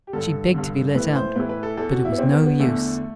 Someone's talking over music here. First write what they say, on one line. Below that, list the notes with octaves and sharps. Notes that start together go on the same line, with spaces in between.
She begged to be let out, but it was no use.
G4
G2 D3 A4
G2 D3
A2 E3 B4
C5
A2 E3 B4
B4
A4
E2 B2 A4
F#4
E4
B3
E2 B2 C4
B3
B3
E2 D3 A3